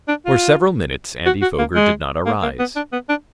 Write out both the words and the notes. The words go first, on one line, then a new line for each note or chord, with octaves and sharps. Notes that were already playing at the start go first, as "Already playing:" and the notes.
For several minutes Andy Foger did not arise.
D4
F4
F#4
F#4
A#3
G#3
A#3
A#3
B3
D4
B3
D4